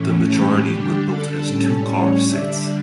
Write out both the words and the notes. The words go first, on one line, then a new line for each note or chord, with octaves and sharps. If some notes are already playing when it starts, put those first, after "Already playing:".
The majority were built as two-car sets.
Already playing: A2 E3 A3 C#4
G4
D3 G3 D4
A4
A2 G3 C#4
C#5
D3 G3 D4 E5